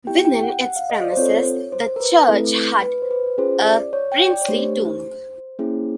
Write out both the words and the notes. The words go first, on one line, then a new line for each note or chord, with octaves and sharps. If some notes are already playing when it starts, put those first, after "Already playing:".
Within its premises the church had a princely tomb.
B3 E4 G4 G5
G5
F#5
F#5
F5
D#5
D5
C5
C4 F4 A4 C#5
C#5
C5
A#4
B4
A3 C4 E4 A4
B4
C5
B4
C#4 F4 G#4 C5
D5
C#5
G5
D5
C#5
A3 D4 G4 C5
A#3 C#4 E4 G#4